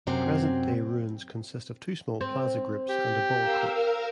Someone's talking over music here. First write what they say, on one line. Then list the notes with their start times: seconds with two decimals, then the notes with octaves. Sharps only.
Present-day ruins consist of two small plaza groups and a ballcourt.
0.07 F#2 C3 C4 G#5
2.21 C4
2.89 G4
3.40 A#4 F5 E6